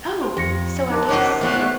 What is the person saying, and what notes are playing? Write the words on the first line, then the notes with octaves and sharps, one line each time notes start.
oh, so I guess, you know,
C5
F2 G4 A#6 C#7
D#4 A#4 C5 A5 D6 F#6
C3 C#4 F#4 C#5 D#5
A2 C3 A3 B3 E5 F5 C#6 F#6